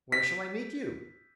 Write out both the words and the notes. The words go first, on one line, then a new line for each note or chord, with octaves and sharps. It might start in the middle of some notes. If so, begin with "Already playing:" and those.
"Where shall I meet you?"
B6